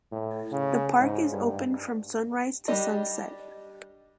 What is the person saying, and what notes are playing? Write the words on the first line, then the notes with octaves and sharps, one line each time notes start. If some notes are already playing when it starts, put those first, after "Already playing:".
The park is open from sunrise to sunset.
A2
C#3
G#2
G2
G3 D4 G4 D#5